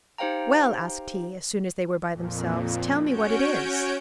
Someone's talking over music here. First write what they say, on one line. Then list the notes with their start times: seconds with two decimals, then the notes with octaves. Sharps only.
"Well," asked he, as soon as they were by themselves, "tell me what it is?"
0.18 D#4 G4 C5 F5 G5 A#5
2.11 F2 A#2
3.05 C#4 F#4 C#5 G6 D7